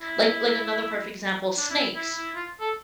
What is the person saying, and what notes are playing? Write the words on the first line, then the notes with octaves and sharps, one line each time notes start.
Like like, another perfect example, snakes,
E4
D4
E4
E4
E4
F4
A4